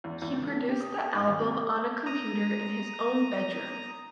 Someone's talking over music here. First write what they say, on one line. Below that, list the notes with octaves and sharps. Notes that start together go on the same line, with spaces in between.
He produced the album on a computer in his own bedroom.
E2
E2
C#2
A4
G4
D#6
A4
G#2
D#2
C3
A#5 D#6